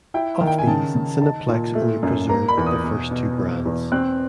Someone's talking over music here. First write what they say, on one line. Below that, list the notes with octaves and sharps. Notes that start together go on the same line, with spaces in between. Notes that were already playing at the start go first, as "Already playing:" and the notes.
Of these, Cineplex only preserved the first two brands.
E4 G5
D#3
G5
G#5
C#3 A5
C#3
D#4 A5
A#2
A3
F#2
A#3 A#5
B5
E2
D#6
B2
B2
E2
E2
C4 F#6